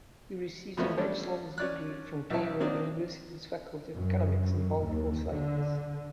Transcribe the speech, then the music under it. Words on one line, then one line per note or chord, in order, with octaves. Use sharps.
He received a bachelor's degree from Cairo University's Faculty of Economics and Political Science.
F2 B2 F3 A3 B3 C#4
G3 C#4 D4 A4
C#4 D5 F#6
B1 C#4 E5 A5
F#3 A#3 C4 D4 D#4
F#2
D#2
D3